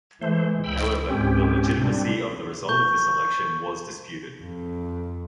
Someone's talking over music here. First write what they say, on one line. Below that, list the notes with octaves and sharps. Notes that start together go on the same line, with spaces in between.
However, the legitimacy of the result of this election was disputed.
E3 G#3 A3 C5
C#2 G5 B5 E6
C#2 G#2 C4 C#4 G4
G3 C4 D4
C#6 G6 G7
F2